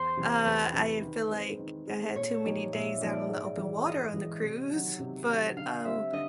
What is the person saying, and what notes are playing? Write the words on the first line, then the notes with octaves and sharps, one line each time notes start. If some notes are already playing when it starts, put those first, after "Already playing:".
Uh, I feel, like, I had too many days out on the open water on the cruise, but, oh,
Already playing: E2 C5
C3 E3
E2 B4
C3 E3
D#3
G#3 C4
D#3
G#3 C4
A#2 C#5
F3 A#3 D#4 G4
A#2 E5
F3 A#3 D#4 G4 D5
G#2
E3 G#3
G#2 D#5
E3 G#3
C3
D#3 F#3
C3
D#3 F#3
D3 F5
G3 C4 E5
D3 D#5